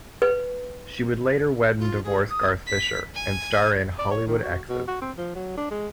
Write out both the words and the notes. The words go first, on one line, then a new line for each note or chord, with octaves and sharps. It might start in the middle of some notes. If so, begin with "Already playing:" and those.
She would later wed and divorce Garth Fisher, and star in "Hollywood Exes".
B4
F4
G#4
D#6
B6
G#5
D5
C#5
D#3
F#4
B2
F#4
C4
F3
F#3
D4
G#3